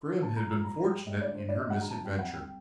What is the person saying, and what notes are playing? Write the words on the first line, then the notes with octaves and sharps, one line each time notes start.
Grim had been fortunate in her misadventure.
A#2 A5
A#5
A#2
A#5
G3 A#5
A#5
G3
G5
A3 D#5
D5
D3
C5
D3 D5
D#5
F#3 F#5
A#5
C3 A5
G5
C3
F#5
G3 G5